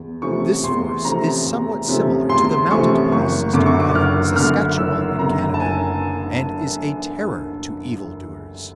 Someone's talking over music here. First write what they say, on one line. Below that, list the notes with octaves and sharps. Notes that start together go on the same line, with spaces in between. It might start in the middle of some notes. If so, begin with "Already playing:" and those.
This force is somewhat similar to the mounted police system of Saskatchewan in Canada and is a terror to evil doers.
Already playing: E2
C3 F3 A3 C#4 C#6
E2 C6
C3 F3 A3 C#4 A#5
E2
C3 F3 A3 C#4
E2 C6
C3 F3 A3 C#4 C#6
F#1 C#6
F#2 D3 D6
C#6
D6
F#1 F6
F#2 D3 F6
F#1 E6
F#2 D3 A#5
A5
F#1 G#5